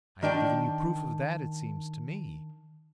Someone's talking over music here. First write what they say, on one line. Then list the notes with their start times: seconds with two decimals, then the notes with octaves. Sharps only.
"I have given you proof of that, it seems to me."
0.23 D#3 D4 G5